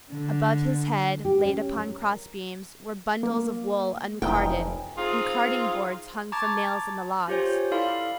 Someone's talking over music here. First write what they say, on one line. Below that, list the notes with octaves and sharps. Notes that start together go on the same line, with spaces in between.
Above his head, laid upon cross-beams, were bundles of wool uncarded, and carding-boards hung from nails in the logs.
D3
G4
C#4
A#4
A#3
F1 B1 E3 D#4 G5 G#5
C4 D#4 F4 G#4
A5 A#5 C#6 D6 G#6 A6
F4 G4 C5 C#5 G#5
E4 A4 D5 F5 B5 C6